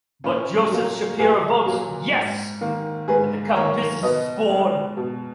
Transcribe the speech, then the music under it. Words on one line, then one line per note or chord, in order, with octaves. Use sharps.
But Joseph Shapiro votes yes - and the cup business is born.
A#2 C#4
F#3 A#3
A#2 G#4 B4
F#3 A#3
G#2
D#3 A#3
G#2 G#4 B4
D#3 A#3 A#4 C#5
B2 B4 D#5
G#3
B2